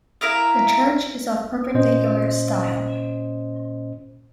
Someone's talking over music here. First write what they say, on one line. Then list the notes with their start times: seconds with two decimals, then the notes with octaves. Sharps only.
The church is of perpendicular style.
0.21 E4 A#4 E5 F5
1.74 A#2 C#4 C5 D#5